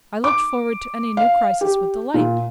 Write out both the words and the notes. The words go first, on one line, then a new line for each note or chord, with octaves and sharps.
I looked forward to any new crisis with delight.
D6
F5
G4
A#2